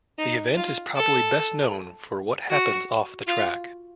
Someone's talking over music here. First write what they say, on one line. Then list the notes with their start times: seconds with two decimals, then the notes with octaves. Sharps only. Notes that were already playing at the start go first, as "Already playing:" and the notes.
The event is probably best known for what happens off the track.
0.18 D#4
0.56 F4
0.96 A4
2.50 F#4
3.27 F4